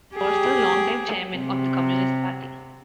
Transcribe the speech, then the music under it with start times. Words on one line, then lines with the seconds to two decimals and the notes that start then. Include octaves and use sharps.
Foster, longtime Chairman of the Communist Party.
0.15 G4 G#4
1.35 C3